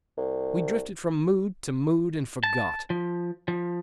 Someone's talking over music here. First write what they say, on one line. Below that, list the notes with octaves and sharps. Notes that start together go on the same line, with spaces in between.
We drifted from mood to mood and forgot.
C2
A5
F3
F3